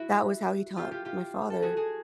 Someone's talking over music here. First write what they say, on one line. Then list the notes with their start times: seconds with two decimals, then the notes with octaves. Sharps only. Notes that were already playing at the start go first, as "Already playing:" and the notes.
that was how he taught my father
Already playing: E4 F#4
0.77 F4 G4
0.91 F4 G4
1.05 F4 G4
1.50 A4
1.62 F#4 G#4
1.76 F#4 G#4